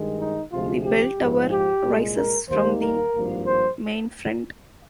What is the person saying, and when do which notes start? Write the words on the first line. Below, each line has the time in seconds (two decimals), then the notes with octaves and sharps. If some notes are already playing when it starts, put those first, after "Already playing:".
The bell tower rises from the main front.
Already playing: G2 D#3 G#3
0.20 D#4
0.52 D2 C3 F3 G#3 F4
0.85 G4
1.18 A#1 G#2 F3 G#3
1.50 G4
1.83 C2 A#2 G#3
2.16 A#4
2.48 D#2 D#3 G3 A#3 C5
2.81 A#4
3.14 G#1 G2 F3 A#3
3.47 C5